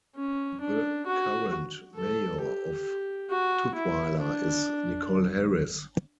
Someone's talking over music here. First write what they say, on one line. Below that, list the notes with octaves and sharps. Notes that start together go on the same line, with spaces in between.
The current mayor of Tutwiler is Nichole Harris.
C#4
D4
F#4
A4
G4
F#4
E4
D4